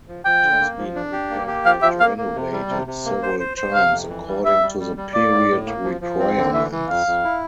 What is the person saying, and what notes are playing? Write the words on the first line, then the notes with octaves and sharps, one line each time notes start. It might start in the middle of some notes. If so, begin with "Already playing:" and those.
It has been repaired and renovated several times according to the period requirements.
F3
F3 G5
D3
A#3
F3
D4
G4
A#3
G4
F3 F5
F3 E5
A#3 F5
A#3
C3
G3
C3
C3
A#3
C5
C5
C5
C3 F5
F2
E3
G3
G3 E5
G3
G3
G3
A#3 D5
A2
A2
A#3
F3
F3
C4
D3
E3 E5
E3
F2 F5
F2
E4